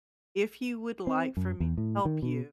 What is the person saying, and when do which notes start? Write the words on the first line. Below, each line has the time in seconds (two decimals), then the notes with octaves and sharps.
If you would like for me to help you,
1.07 C4
1.37 F#2
1.60 E2
1.78 A2
2.05 D#3
2.22 B2